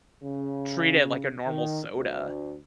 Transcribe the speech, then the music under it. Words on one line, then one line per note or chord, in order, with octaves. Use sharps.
treat it like a normal soda.
C#3
D#3
D2